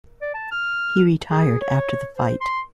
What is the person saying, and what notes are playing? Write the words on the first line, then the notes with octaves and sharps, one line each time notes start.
He retired after the fight.
D5
A5
F6
G#4
C#5
C5
C6